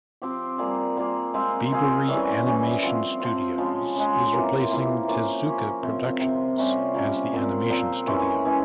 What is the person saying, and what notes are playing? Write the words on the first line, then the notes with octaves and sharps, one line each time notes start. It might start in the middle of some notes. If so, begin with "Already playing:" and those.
Bibury Animation Studios is replacing Tezuka Productions as the animation studio.
F3 C4 G4
G3 A#3 F4 G#4
G3 A#3 F4 G#4
G#3 C4 F4 G#4
G#3 C4 F4 G#4
E3 G3 C#4
E3 G3 C#4
F3 C4 F4
F3 C4 F4
C#3 F3 G#3
C#3 F3 G#3
C3 E3 A#3 F4
C3 E3 A#3 F4
F3 A#3 C#4
F3 A#3 C#4
C3 F3 C4
C3 F3 C4
C3 G3 C#4 F4
C3 G3 C#4 F4
A#2 F3 C4
A#2 F3 C4
E3 G#3 C#4
E3 G#3 C#4